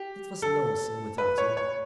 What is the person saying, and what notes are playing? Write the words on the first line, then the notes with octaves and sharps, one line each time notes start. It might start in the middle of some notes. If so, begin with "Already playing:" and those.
It was lonesome without you.
Already playing: G4
A4
B4
C#5
C#5